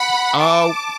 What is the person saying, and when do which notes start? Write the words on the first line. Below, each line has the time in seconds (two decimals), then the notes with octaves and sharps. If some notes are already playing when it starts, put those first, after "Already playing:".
D oh
Already playing: F#5 B5
0.41 A5 D6